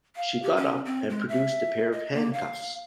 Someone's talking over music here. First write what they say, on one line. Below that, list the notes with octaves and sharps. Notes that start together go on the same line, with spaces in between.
She got up and produced a pair of handcuffs.
F5
G4
C#4
C4
G#3
E5
D#5
A#3
F5